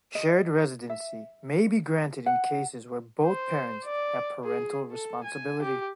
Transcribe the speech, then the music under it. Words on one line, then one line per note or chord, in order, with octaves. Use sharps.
Shared residency may be granted in cases where both parents have parental responsibility.
D#5
E5
F#5
C5
D5
G#4
A4
G#5
G4